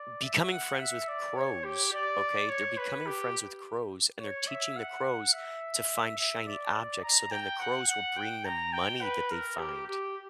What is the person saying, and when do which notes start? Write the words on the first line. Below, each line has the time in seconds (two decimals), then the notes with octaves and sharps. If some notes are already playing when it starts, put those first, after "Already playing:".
becoming friends with crows, okay? They're becoming friends with crows, and they're teaching the crows to find shiny objects, so then the crows will bring them money that they find.
Already playing: D5
0.23 E5
0.51 F#5
0.79 E5
1.08 D5
1.36 C#5
1.64 G4
1.93 D5
2.49 C#5
2.78 B4
3.06 G4
4.20 C#5
4.48 E5
4.76 F#5
5.33 E5
6.18 E5
6.47 D5
7.03 A#5
7.31 G5
7.60 F#5
7.88 F#5
8.17 G5
8.45 A#5
8.73 G5
9.02 B4
9.30 A#4
9.59 G4
9.87 G4